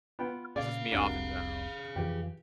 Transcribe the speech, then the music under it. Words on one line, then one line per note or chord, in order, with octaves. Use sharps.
pisses me off in general, so
B3 F4 G5
A#2 C#3 G#4 D5 F5
F1 C2 C3 D4 F#4 A#4
F2 E3 F3 G4